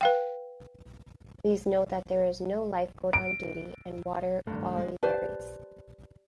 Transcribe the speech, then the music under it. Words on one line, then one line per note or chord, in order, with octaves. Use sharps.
Please note that there is no lifeguard on duty and water quality varies.
B4 F5 G5
D7
G#1 G2 A3
G#3
G4 B4 C5 D5 A5